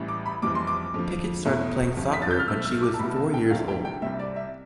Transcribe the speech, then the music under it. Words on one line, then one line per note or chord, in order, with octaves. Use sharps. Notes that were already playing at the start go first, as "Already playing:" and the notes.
Pickett started playing soccer when she was four years old.
Already playing: A1 A2 E3 G3
D6
B5
F1 F2 E3 G3 D6
C6
D6
F2 D3 F3
E2 B2 A3 E4
G1 F2 C3
B6
A6
G6
F6
B1 B2 A3 E6
E6
D6
A5
C2 B2 G3 B3 E4 B5
A5
G5
D2 C3 F3 A3 D4 F5
G5
G5
C2 C3 G3 E5
D5
E5